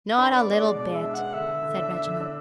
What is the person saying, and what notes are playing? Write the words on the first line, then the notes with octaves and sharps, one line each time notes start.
'Not a little bit,' said Reginald.
D4 B4
B3
D5
B3
D5
G#3
B2 D5
G#3 E5
D4
B3 F#5
D3 E5
D3
D3
D4
D4
D3
D4